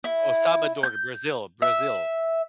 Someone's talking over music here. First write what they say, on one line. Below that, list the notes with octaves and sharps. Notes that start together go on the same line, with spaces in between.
Oh, Salvador, Brazil. Brazil.
E4
G6
E5